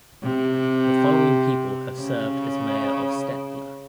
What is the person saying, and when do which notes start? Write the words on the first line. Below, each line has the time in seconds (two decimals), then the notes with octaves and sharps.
The following people have served as mayor of Stettler.
0.23 C3
2.00 C#3